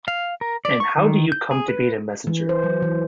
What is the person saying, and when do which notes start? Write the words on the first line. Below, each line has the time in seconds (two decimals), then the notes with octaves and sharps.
And how do you come to be the messenger?
0.08 F5
0.41 A#4
0.65 D5
0.80 C#6
0.98 D#3
1.32 G6
1.51 G#4
1.68 B4
2.27 E3
2.49 C5
2.64 F#3
2.82 E3